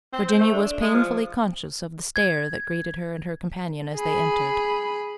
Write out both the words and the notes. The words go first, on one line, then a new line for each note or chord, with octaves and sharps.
Virginia was painfully conscious of the stare that greeted her and her companion as they entered.
C4
C5
A3
D4
D4
G#3
F3
G#6
G#4 B5